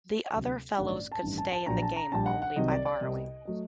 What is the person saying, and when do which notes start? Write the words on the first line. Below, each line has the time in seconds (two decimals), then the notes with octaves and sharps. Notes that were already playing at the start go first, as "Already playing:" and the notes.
The other fellows could stay in the game only by borrowing.
0.33 D2 C3 F#3
0.77 A1 G2 D#3 A3 F#5
0.88 D5
1.12 A5
1.22 A1 G2 D#3
1.38 A5
1.52 A5
1.66 A#1 A#2 F#3 A#5
1.82 A5
1.96 A#5
2.12 A#1 A#2 G3 A5
2.26 F#5
2.42 F#5
2.56 C2 C3 D#3 F#3 D#5
2.71 D5
2.86 D5
3.01 C2 C3 G3 D#5
3.45 F#3 A3 D#5